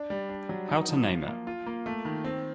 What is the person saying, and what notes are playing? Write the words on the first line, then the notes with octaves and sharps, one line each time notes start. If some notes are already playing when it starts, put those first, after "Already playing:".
How to Name It?
Already playing: D4
G3
D4
F#3
D#4
F3
F4
A#3
F4
A#3
A3
D#3
C4